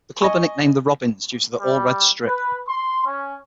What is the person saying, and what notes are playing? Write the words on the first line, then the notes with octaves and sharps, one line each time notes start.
The club are nicknamed "The Robins" due to their all-red strip.
D#5 G#5 C#6
G3
B4
C6
C#4